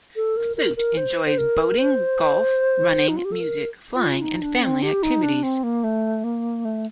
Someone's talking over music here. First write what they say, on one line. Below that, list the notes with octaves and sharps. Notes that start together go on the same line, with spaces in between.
Thuot enjoys boating, golf, running, music, flying and family activities.
A4
A#4
A#4
A#4
C5
C5
A#4
C5
D#4
F4
G4
A4
A#4
F4
D#4
D4
C4
G4
D#4
D4
C4
A#3
A3
A#3
A3